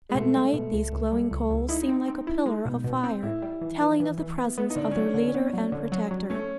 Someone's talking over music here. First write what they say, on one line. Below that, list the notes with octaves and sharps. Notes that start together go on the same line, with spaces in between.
At night these glowing coals seem like a pillar of fire, telling of the presence of their leader and protector.
G#3
B2 A3
G3
B2
C#2
C#2
G3
C#2
C#2
D#4 E4
C4
C4
E4
G#3
B2
B2
C4
A2 E4
G3
E3
E3
E3
E3
B3
B3
D#4
D3 D4
F#3 C#4
D4
D3
C#4
B3
F#3
D3
F#3
F#3
A3 C#4